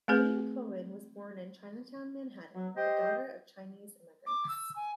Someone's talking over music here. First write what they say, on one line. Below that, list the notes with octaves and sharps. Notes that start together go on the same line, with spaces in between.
Ling-Cohan was born in Chinatown, Manhattan, the daughter of Chinese immigrants.
A3 C4 G#4 B4
F#3
G4 C5 D#5
D6
E6
G#5